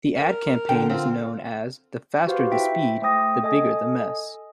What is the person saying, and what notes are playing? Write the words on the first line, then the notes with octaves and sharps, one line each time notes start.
The ad campaign is known as The Faster the Speed, the Bigger the Mess.
A#4
D3 G5
C4 F4
F#4 G4 B4 C5 F5
E4 E5 G5 B6 D7
A3 C5 G5 D#6 A#6
A4 D#5 G#5 D#6